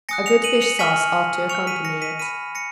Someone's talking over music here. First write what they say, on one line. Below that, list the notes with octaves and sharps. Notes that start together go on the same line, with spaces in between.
A good fish-sauce ought to accompany it.
G#5 D#6 F#6 A#6 C#7
C#7 F7
D#7 F#7
C#7 F7
G#5 C#6 F6 B6 D#7
G#5 C#6 F6 C#7 F7
B6 D#7
A#6 C#7
B6 D#7
B5 F6 B6 D#7
A#6 C#7